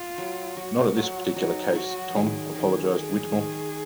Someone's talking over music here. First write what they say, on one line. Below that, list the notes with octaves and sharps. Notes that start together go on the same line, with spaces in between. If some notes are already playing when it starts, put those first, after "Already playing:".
Not at this particular case, Tom, apologized Whittemore.
Already playing: F4
F#3
F#3 F#4
F#3
F#3 D#4
F#3 F#4
D#3 G#4
D#3
D#3
D#3